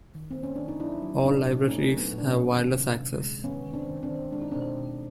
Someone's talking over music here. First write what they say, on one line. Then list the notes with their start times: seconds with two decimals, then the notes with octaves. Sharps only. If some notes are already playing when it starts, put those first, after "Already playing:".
All libraries have wireless access.
0.15 D#3
0.31 C4
0.37 A#3
0.43 C#4
0.56 D#3 D4
0.68 D#4
0.80 F#3 D4 E4
1.02 F#3
1.24 A#2 C4 D4
1.47 A#2
1.68 A3 C#4 D#4
1.90 F#3
1.97 B3
2.12 A#2
2.18 D4
2.27 B3 C#4
2.35 A#2
2.56 D#3
2.79 C3
3.00 C3
3.22 G#3
3.44 D#3 B3 C#4
3.67 D#3
3.74 C4 D4
3.88 D#3
4.03 C4 D4
4.10 D#3
4.32 G#3 D4
4.42 D#4
4.52 B2 C4 D4
4.76 B2